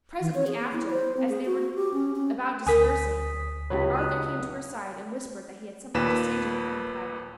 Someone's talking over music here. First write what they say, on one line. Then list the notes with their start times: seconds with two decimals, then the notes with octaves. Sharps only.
Presently after, as they were about dispersing, Arthur came to her side and whispered that he had something to say to her in private.
0.21 E3
0.35 C#5
0.47 G#4
0.59 B3
0.73 E4
0.90 C5
1.17 C4
1.29 G#4
1.45 F#4
1.75 G4
1.94 C#4
2.16 C#4
2.67 D2 A#4 G#5 D#6 B6
3.70 C#2 F#3 G4 B4 C#5
3.95 D#6 F#6
5.94 D#2 A#2 B4 B6 E7